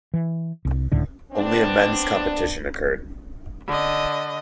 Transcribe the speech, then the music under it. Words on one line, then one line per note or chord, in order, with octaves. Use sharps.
Only a men's competition occurred.
E3
C2
D1 C#2 A2 D3
B3 C4 D4
D3 D#5